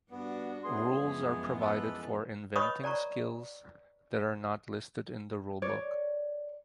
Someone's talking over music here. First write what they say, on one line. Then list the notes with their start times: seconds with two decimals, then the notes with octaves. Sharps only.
Rules are provided for inventing skills that are not listed in the rulebook.
0.11 G2 B3 D4 F#4
0.64 A2 B3 G#4 C6
0.96 F#2 E3 F3 G#3 B3
1.60 A4 B4
2.56 B4 C#5 D#5 B5 C#6 D#6
2.84 D5 A5 A#5 C#6
5.62 C#5 D5